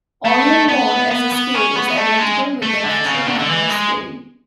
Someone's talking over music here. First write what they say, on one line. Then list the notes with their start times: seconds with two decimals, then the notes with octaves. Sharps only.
Aeolian mode as a scale is identical with the natural minor scale.
0.25 A3
0.69 B3
1.11 B3
1.32 B3
1.55 C#4
1.76 B3
1.89 B3
1.98 A3
2.19 G#3
2.63 A3
2.84 D3
3.05 C#3
3.27 D3
3.39 D3
3.49 E3
3.69 G#3